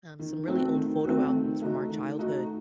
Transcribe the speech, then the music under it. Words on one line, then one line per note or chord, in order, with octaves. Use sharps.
um, some really old photo albums from our childhood,
D#3
A3 C4 F#4
D#3
A3 C4 F#4
D#3
A3 D#4 F#4
D#3
A3 D#4 F#4